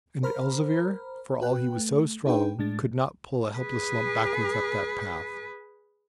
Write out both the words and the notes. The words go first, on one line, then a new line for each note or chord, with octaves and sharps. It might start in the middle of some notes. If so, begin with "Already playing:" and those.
And Elzevir, for all he was so strong, could not pull a helpless lump backwards up that path.
A#4 C5 A#5 B5 F6
F#4 B4 G5 F#6
A3
D4 D#4 G#4 B4 G5
A2 G#3 D4 A6
G#4 B4